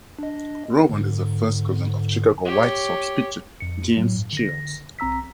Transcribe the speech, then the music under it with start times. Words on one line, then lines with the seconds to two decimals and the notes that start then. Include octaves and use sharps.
Rowand is the first cousin of Chicago White Sox pitcher James Shields.
0.19 D4 D#5
0.89 G#2 D3
2.45 G4 C#5
3.60 F2 C#7
3.97 A2 F#3
4.16 G2
4.33 D3 A#6
4.99 C2 C4 A#5 E6 B6